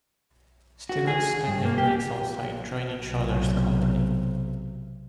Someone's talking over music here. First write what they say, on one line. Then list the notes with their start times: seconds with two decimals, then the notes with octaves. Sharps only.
Student spend their breaks outside enjoying each others company.
0.89 F#4
1.07 G#4
1.48 G2
1.65 A#3
1.78 G4
3.02 B1 C3